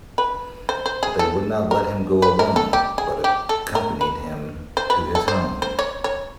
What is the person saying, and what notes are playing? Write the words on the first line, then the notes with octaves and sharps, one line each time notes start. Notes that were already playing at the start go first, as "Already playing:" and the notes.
But they would not let him go alone, but accompanied him to his home.
B4
C5
C5
G#4
A4
A#4
B4
A#4
A4
G4
G#4
G4
A4
A#4
B4
C5
B4
A4
C5
C5
C#5
C#5